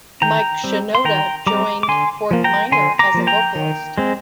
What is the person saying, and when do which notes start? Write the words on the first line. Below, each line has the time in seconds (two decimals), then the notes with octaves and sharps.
Mike Shinoda joined Fort Minor as a vocalist.
0.22 D#3 G5 A#5
0.64 G3 C4
0.95 C6
1.05 D#3 G5 A#5
1.47 G3 C4 A#5 D6
1.83 D6
1.88 D3 G#5 C6
2.31 F3 A#3
2.44 G5 A#5
2.72 D3 G#5 C6
2.99 A#5 D6
3.14 F3 A#3
3.27 G5 A#5
3.55 D#3
3.98 G#3 C4